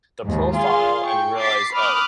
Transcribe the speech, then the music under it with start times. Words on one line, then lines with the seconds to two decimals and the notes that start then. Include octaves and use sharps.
the profile and you realize, "Oh,
0.23 D#2 G#2
0.54 F4 G#4 F5 C6
1.06 G5 C#6
1.40 D6 A6 B6 C7
1.75 B5 D6 D#6 F6 F#6